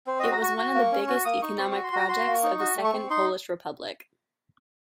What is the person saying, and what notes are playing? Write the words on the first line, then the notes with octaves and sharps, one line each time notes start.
It was one of the biggest economic projects of the Second Polish Republic.
C4 C5
F#4 D#5
A#5
F#4 C#6
F#4
A#3
C#4
F#4 C#6
A#3 D#6
D#4 C#6
C4 C#6
F#4 C#6
C6
F#4 A#5
F#4 C6
A#3
C#6
D#4
F#4 C#6
A3
C#6
C4
D#4 C6